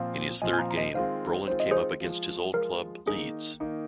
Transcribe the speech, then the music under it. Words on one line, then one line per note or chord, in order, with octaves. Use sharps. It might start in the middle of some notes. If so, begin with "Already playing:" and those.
In his third game, Brolin came up against his old club Leeds.
Already playing: A#2 F3 C4 F5
A#2 F3 C4 D#5 G#5
G#5
F5 A#5
A#5
D#5 G#5
D#3 G#3 C4 F4 C5 F5
D#3 G#3 C4 F4 C5
D#5
G#4 C5
F3 G#3 F4
F3 G#3 F4 A#4
D#3 A#3 D#4 G#4
D#3 A#3 D#4